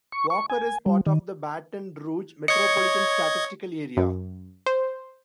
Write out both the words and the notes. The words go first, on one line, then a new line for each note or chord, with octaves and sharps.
Walker is part of the Baton Rouge Metropolitan Statistical Area.
C#6
C#6
G#5
G3
D#3
C#5 D#5 G#6 C#7
F#2
C5